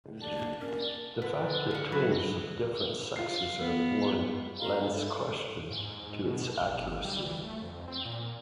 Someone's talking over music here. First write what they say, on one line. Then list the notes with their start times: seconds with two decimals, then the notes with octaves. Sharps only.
The fact that twins of different sexes are born lends question to its accuracy.
0.22 D4 D5 A5
0.37 A#3
0.60 C#4 A#4
1.22 D3 B4
1.71 F3 F#5
1.92 F#3 A4 B4
3.16 F4 C7
3.58 B3
4.60 D#5 F5 A#5
4.81 E4 A4 D5
5.70 G#2
6.24 B2
6.61 B1
6.79 G1
7.05 G3
7.25 E3
7.43 A3
7.62 F2
7.88 C4
8.05 A#2